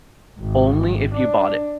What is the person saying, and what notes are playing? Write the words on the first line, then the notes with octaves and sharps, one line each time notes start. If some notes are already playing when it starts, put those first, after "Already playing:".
Only if you bought it.
G#1
D4